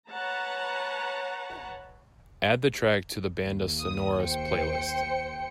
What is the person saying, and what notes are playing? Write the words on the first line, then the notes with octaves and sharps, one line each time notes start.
Add the track to the bandas sonoras playlist.
B4 C#5 F#5 A5 A#5
D#2
D#6
C5 G5 C#7